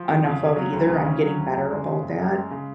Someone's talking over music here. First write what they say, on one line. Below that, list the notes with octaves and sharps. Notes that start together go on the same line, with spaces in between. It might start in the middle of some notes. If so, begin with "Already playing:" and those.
enough of either, I'm getting better about that,
Already playing: F3
F2
C#3
C#4
F#3
D2
C#3
C#4
F#3
D2
F#2
G#3
C#3
F#1
F#2
G#3
C#3